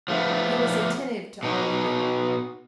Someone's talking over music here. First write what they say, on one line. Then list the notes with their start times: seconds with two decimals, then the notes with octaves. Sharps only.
He was attentive to all women.
0.08 F3 A3 B3
1.43 B2 D#4